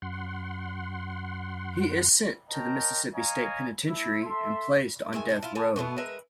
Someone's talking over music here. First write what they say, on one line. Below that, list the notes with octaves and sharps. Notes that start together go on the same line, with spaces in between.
He is sent to the Mississippi State Penitentiary and placed on death row.
F#2 F#5 C6
A#4 C#5 D#5 G5 A5 A#5
C#5 D#5 F5 G#5 A#5
A3 E4
A4 E5 C6
D#3 G#3 E5 G#5
C3 D4 E4
E4 F4
A4 A#4 G#5
B2 F3 A3 B3
G#3 A#4 B4 E5